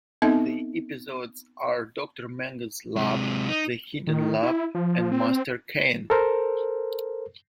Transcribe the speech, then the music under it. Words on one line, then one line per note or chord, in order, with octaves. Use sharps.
The episodes are "Dr. Mangle's Lab", "The Hidden Lab" and "Master Cain".
B3 C4 D#4 A4 D#5 E5
C3 G#3
D#4
D#3
E4
F3
C4
A4 A#4 C5